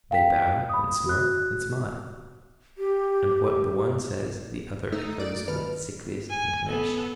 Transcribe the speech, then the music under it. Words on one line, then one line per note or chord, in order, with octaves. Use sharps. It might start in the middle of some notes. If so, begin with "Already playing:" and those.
They bow and smirk and smile, and what the one says the other echoes with sickliest intonation.
F5 G5 B6
B5 D#6
F#4 F#6
G4
A3 D#4
D5
D#2 B4 F6
G#5
B3 A4